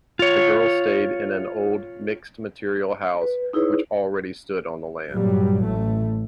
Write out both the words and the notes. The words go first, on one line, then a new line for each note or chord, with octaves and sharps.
The girls stayed in an old mixed-material house which already stood on the land.
F4 C#5
B4
D#4 E4 G#4 B4 C#5
G2 A#2 F#3 G3
A1 A2 A3